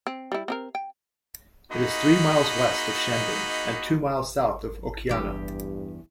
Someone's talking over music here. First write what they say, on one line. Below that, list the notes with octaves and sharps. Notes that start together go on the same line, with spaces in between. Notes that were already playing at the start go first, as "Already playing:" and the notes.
It is three miles west of Shandon and two miles south of Okeana.
C4
G3 E4
C4 G4 A#4
G5
A#3 D#4 F#4 G#4 D#5 B5
E2 G2 G4